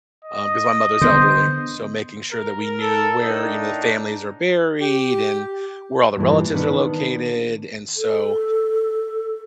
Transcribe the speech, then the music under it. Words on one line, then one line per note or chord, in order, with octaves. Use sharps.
um 'cause my mother's elderly, so making sure that we knew where, you know, the families are buried, and where all the relatives are located, and, so,
D#5
D3 B3 C5
A#4
A4
A2 D4 D#4
G4
G2 A#2 E3
D#3 B3 D4
A4